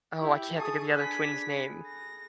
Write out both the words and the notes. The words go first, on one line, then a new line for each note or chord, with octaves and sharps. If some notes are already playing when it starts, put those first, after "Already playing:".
Oh, I can't think of the other twin's name-
E4 G4
G#4 A4 C#6 D#6
D4 B4 B6
A#6